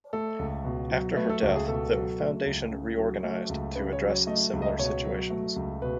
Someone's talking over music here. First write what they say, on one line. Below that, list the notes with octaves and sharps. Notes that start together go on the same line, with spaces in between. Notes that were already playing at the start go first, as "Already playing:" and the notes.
After her death, the foundation reorganized to address similar situations.
A3 A4
C#2
B2
F#3
A3 B4
A4
C#2 F#4
G#4
B2 A4
F#3
A3
C#2
C#3
F#3
A3
C#2
C#3 B4
C#5
F#3
C#5
A3 D#5
C#2
D#5
B2 C#5
F#3
A3
C#2
B2 B4